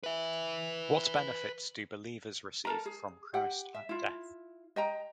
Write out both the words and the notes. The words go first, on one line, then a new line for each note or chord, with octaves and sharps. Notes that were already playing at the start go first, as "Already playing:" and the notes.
What benefits do believers receive from Christ at death?
B4 E5
A4 A#4 A#5
G#4
G4 F#5 G5
E5
E4 F4
D#5 G5 A#5